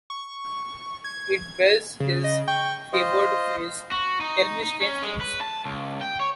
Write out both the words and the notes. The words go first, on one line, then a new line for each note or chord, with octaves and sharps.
It bears his favoured phrase "tell me strange things".
C#6
G#6
C#3
D#5
G5 C#6
F4 C5 D#5
F#4
D#4
D#4
C#4
G#3
B4
A5
C#2
G5
C#5